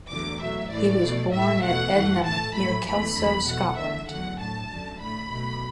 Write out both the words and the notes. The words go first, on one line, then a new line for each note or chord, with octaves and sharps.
He was born at Ednam, near Kelso, Scotland.
E2 D3 F#3 A3 D6
B2 F#3 A3 E5
A2 E3 A3 D5
B2 A3
A2 A3 E5
E2 B2 A3 F#5
F#2 E3 A3
A2 A3 A5
A2 F#3 A3 B5
E2 E3 A3 B5
E2 D3 F#3 A3 B5
B2 A3 F#5
E2 D3 A3 E5
E2 D3 F#3 A3 F#5
A2 A3 A5
F#2 D3 A3
A2 A3 B5
B2 F#3 A3